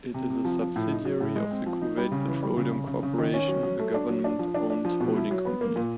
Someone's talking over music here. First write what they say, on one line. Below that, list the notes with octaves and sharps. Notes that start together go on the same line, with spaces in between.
It is a subsidiary of the Kuwait Petroleum Corporation, a Government-owned holding company.
C3
C3
F3
F3
A2
D#4
F#3
A2
G#3
C4
F3
D#4
G3
C#3
E3
G3
C#3
C#3
C#3
C#3
D#3
C#4
F#3
F#3
A3
D4
F#3
D4
F3
D4
D4
F3
B2
E4
F#3
B3
A#3
A#2